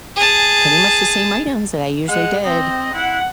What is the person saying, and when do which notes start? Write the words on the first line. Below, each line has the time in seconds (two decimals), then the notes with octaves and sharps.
pretty much the same items that I usually did,
0.16 G#4 A5
2.09 G#3 F#5
2.44 C4 D#5
2.94 E4 F#5